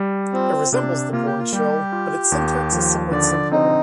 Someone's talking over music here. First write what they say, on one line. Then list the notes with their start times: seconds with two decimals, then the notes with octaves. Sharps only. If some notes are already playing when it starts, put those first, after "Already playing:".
It resembles the Bourne shell, but its syntax is somewhat simpler.
Already playing: G3
0.33 C4 F4
0.72 C3 D4
1.13 A#3 F4
1.26 G4
1.39 F4
1.53 G3 G4
1.92 F4
2.32 D#2
2.73 F3
3.12 D3 D5
3.52 C4 D#4